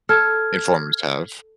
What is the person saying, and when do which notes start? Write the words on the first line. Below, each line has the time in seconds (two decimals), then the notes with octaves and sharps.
informers have.
0.09 A4 F6 G#6